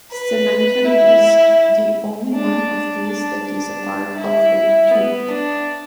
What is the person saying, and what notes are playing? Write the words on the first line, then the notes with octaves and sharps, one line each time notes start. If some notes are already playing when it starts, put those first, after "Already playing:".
Cementum is the only one of these that is a part of a tooth.
B4
E4
D4
D4
D4
E4
B3
D4